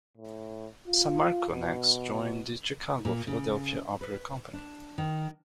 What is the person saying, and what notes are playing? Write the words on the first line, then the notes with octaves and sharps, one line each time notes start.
Sammarco next joined the Chicago-Philadelphia opera company.
A2
F4
B2
A#2
C#3
B4
D4
D#3